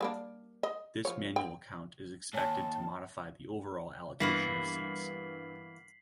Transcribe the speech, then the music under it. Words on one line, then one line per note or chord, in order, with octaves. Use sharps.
This manual count is expected to modify the overall allocation of seats.
G3 A#3 D4
D#5
F3 C#5
G5
D#2 G#2 C#5 G#5 A5
G2 E3 A#3 B3 B6 C7 F#7